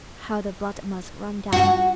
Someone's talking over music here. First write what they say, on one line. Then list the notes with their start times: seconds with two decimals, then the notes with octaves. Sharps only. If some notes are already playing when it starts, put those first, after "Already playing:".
How the blood must run down.
1.53 F#4